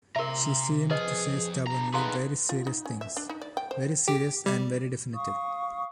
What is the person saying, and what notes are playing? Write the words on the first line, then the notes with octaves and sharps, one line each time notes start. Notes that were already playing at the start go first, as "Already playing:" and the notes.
She seemed to say stubbornly very serious things, very serious and very definitive.
C3 A#4 E5 A#5 C6
F2 G#4 B4 C5 D#5
D4 A#5
D#4 G#4 A4 B4 F5 A#5 C6
F4
D#4
C#4
E5
D4
D#4
D5
G5
C5
G4
G3
F5 C#6 D#6